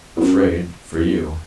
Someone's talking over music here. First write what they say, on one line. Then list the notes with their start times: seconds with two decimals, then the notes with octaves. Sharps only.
"Afraid--for you!"
0.17 E2
0.21 F#2
0.94 E2